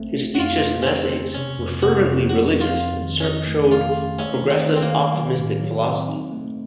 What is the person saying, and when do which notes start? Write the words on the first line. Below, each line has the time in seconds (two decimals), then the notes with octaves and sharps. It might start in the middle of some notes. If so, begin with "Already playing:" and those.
His speeches and essays were fervently religious and showed a progressive, optimistic philosophy.
Already playing: A#1 A3 C4
0.15 A3
0.35 F#4
0.39 F2 F4
0.64 C#3
0.82 C#4
0.87 C#3 C4
1.10 C#3
1.34 C3 C#4
1.58 F2
1.81 C3 F#4
2.06 F2
2.29 F2 F#4
2.53 F2
2.61 F4
2.77 F2
3.01 D#3
3.20 C#4
3.24 D#3 D#4
3.47 A3
3.72 A3 F4
3.95 C#4
4.19 A3 C#4
4.43 D#3
4.50 C4
4.66 D#3
4.76 C4
4.82 A#3
4.91 D#3
5.14 F#3
5.38 A2
5.61 F#3
5.85 C4
6.08 D#4
6.32 A3